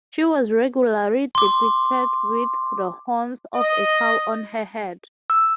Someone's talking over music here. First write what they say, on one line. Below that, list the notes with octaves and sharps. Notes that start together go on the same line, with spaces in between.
She was regularly depicted with the horns of a cow on her head.
C6 D6
D#5
E6